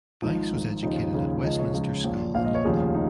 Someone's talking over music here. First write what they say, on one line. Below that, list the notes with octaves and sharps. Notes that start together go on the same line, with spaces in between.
Banks was educated at Westminster School in London.
G#1 G#2 F3 D#4
G#1 G#2 F3
D#2 C#3 F3 D#4
D#2 C#3 F3
C#2 C#3 F3 D#5
C#5
C#2 C#3 F3
A#1 A#2 F3
A#1 A#2 F3 F5
D#5
C#5
F1 D#2 C#3 F3 G#4
D#4